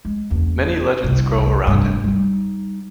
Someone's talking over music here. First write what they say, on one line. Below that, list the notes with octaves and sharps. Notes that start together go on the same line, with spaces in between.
Many legends grow around him.
G#3
F#1 E2
G1 C2
F1 G2
G3 D#4